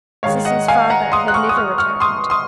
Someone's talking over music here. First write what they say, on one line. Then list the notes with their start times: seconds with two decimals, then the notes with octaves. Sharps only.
Sissy's father had never returned.
0.23 G#2 D#3 G#3 C#5 F5
0.45 D#5 F#5
0.68 F5 G#5
0.90 F#5 A#5
1.12 C6 D#6
1.28 F#6
1.34 C#6 F6
1.49 D#6
1.57 C#6 F6
1.78 C#6 F6
2.00 C6 D#6
2.30 C6 D#6